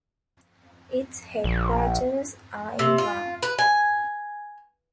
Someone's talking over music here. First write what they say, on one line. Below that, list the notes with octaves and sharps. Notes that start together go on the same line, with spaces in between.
Its headquarters are in Rome.
A#1
C3
F4
B4
G#5